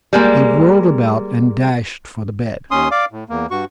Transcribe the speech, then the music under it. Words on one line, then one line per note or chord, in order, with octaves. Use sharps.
He whirled about and dashed for the bed.
G3 G#3 A#3
D#2 C#4 C6 D#6
D5 F5 D6
A2
E2 A#3
G2 F#4 C#6